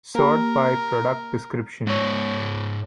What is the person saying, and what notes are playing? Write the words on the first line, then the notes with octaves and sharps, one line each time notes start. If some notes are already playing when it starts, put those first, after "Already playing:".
Sort by product description.
A#3 G4 A#4
G#2 C#5